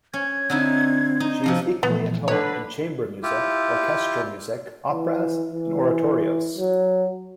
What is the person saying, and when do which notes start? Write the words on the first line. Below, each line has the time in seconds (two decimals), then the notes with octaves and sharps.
She is equally at home in chamber music, orchestral music, operas, and oratorios.
0.14 C#4 G#6
0.50 D3 C4 D#4 E4
1.20 D#4
1.44 C3 F3 D#5 A5
1.83 A#2 E3 F3 B3
2.28 D3 B4 C#5
3.23 E4 F4 G4
4.92 E3
5.51 E3
6.58 F#3